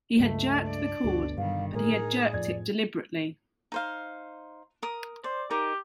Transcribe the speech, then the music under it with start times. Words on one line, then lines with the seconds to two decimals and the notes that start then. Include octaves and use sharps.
He had jerked the cord, but he had jerked it deliberately.
0.19 C#2 G2 A3 B6
0.67 D4 D5
1.04 G1 D2 B2 F#4
1.38 G2 D#3 G3 F5
1.74 A2 D#4 G#4 A#4
2.33 F2 D5 G#6
3.72 D#4 C5 F5
4.82 A#4 D#6
5.24 C5 D5
5.51 D#4 G4 A#4 D6